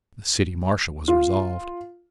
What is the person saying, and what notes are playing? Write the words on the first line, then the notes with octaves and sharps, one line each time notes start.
The city marshal was resolved.
F4